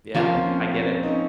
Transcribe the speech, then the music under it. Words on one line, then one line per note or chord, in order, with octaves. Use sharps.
Yeah, I get it.
F3 A#3 C#4 F4
C4
C#4
C4
D#4
C#4